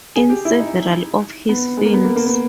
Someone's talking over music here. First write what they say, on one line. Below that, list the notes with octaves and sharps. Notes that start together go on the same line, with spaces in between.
In several of his films.
G#4
G4
E4
D#4
B3
G#3
A#3
B3
A#3
A#3
B3